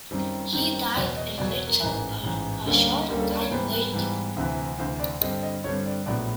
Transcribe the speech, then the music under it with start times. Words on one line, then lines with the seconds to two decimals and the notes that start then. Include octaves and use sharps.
He died in Mitchell, a short time later.
0.11 F#2 D#3 G3 C4
0.53 F#2 D#3 G3 C4
0.96 E2 B2 F#3 D5
1.16 D#5
1.38 E2 B2 F#3 D5
1.52 C#5
1.67 A#4
1.80 A1 G#2 E3
2.23 A1 G#2 E3
2.66 D2 D3 G3 A#3 C#4 A4
2.87 A#4
3.09 D2 D3 G3 A#3 C#4 A#4
3.19 A4
3.30 D5
3.40 C#5
3.51 G#2 E3 G3 B3 C5
3.73 B4
3.93 G#2 E3 G3 B3
4.36 D2 C3 E3
4.78 D2 C3 E3 C5
5.00 D5
5.21 G2 D3 G3 C4 D#5
5.43 D#5
5.64 G2 D3 G3 C4 C#5
5.86 D5
6.06 A#1 A2 F#3 B3 D5